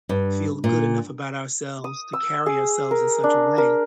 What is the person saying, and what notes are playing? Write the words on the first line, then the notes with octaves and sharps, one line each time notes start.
feel good enough about ourselves to carry ourselves in such a way.
G2
A#2
D#6
E6
G#4
A#4
D4
A#4